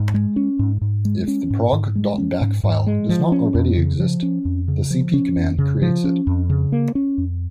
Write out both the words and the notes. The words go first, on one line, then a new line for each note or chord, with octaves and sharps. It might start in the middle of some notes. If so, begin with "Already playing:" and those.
If the prog.bak file does not already exist, the cp command creates it.
Already playing: G#2
G#3
C#4
G#2
G#2
G#3
C#4
G#2
G#2
G#3
C#4
G#2
G#2
G#3
F3
C#4
F2
C#3
F3
C#4
F2
C#3
F3
C#4
F2
C#3
F3
C#4
F2
C#3
A#3
C#4
F2